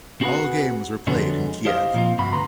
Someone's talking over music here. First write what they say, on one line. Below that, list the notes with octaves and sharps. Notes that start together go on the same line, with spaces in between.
All games were played in Kyiv.
C4 F#4 G#4 A#4 B4 F#5
F2 D3 F#3 G#3 B3
E4 G4 C5 D#5 F5
A#2 F3 C4 F4
C2 G2 C3 F#4 B5
D2 B4 A#5 C6